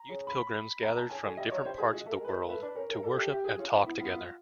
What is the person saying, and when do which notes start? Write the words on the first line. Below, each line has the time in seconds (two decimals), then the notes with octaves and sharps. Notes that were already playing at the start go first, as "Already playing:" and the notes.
Youth pilgrims gathered from different parts of the world to worship and talk together.
Already playing: A#5
0.09 C#3
0.27 B5
0.82 B2 A#5
0.96 A#2 A5
1.10 C#3 G#5
1.23 D3 G#5
1.37 G3 D#5
1.47 D5
1.51 F#3 C#5
1.65 G3 C5
1.78 G3 G#4
1.93 G#3 F#4
2.06 A3
2.11 A#4
2.20 G#3
2.24 B4
2.29 A#4
2.35 G#3
2.48 A3 B4
2.61 D4 B4
2.75 C#4 A#4
2.89 C#4 A#4
3.03 D4 A4
3.17 G4
3.31 G4
3.44 G#4
3.58 C#4 F4
3.72 C4
3.86 B3 E4
4.00 B3 F4
4.13 F4